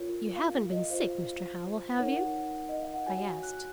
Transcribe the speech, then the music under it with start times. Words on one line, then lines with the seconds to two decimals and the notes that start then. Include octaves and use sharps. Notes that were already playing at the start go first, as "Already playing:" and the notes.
"You haven't been sick, Mr. Howell, have you?" I asked.
Already playing: F4 A#4 C#5
0.36 F5
0.54 F5
0.72 D#5
0.90 F4 C5 F5
1.98 D#4 A#4 C#5 F#5
2.69 D#5
2.82 F5
2.94 F#5
3.06 F#4 C#5 G#5
3.43 F#6